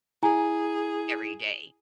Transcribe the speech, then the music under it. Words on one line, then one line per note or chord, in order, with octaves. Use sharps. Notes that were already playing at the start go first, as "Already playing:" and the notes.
every day,
E4 G#4 G#5 A#5